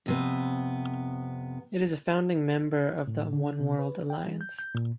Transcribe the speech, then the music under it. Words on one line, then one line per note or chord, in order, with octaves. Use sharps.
It is a founding member of the Oneworld alliance.
F2 C3 B3
A2
D3
C3
B4
G5
E3
G6
G6
A#2